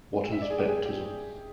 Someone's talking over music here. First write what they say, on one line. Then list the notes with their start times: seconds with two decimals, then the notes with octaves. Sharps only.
What is baptism?
0.32 E5
0.42 D5
0.50 G#4
0.59 G4
0.68 G#4
0.85 G4